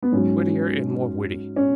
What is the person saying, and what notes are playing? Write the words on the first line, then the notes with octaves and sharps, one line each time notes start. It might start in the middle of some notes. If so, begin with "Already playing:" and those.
'Wittier and more witty.
B3
G#2 F#3 C#4
C#4